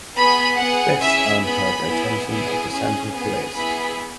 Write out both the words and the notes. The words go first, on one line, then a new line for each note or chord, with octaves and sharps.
This earned her the attention of the Central Police.
B3 G#4 B5
B3 G#4 F#5
C#4 E4 G#4 E5
B3 G#4 B5
B3 E4 G#4
B3 E4 G#4
C#4 G#4
B3 G#4
B3 E4 G#4 B5